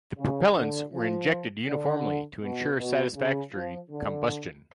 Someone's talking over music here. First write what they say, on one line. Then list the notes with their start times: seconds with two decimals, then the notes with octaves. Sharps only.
The propellants were injected uniformly to ensure satisfactory combustion.
0.18 C#3
0.56 D3
0.94 F3
1.68 D3
2.42 B2
2.79 B2
3.16 C#3
3.52 F3
3.90 D3